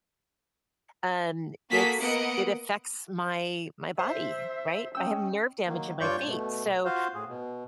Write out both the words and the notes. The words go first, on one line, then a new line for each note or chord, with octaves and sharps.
um, it's it affects my, my body, right? I have nerve damage in my feet, so,
A#3 F#4 G#4 A4 B6
A#3 B3 D#5 F#5 C#7 D7
C5 E5
C#4 D#5 G5 E6
D#3 F#3 A#3
G2 F4 C#5 D5 C#6 G6
B2 A3
F4 F#4 C5 F5
A2 G#4
B2